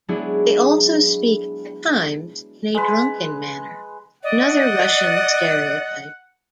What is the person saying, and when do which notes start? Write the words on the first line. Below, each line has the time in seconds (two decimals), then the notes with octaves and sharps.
They also speak at times in a drunken manner, another Russian stereotype.
0.08 F#3 G#3 B3 D4 E4 G#4
2.74 G#3 B4
4.23 D5 D#5 F#5